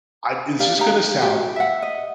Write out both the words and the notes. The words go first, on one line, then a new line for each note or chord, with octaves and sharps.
I this is gonna sound,
G4 A#4 D5 F5
D#4 G4 F5 A#5
F#4 G4
E5 F#5
D#5